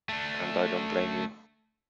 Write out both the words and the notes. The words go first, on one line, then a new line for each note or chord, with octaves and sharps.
And I don't blame you.
A3 D4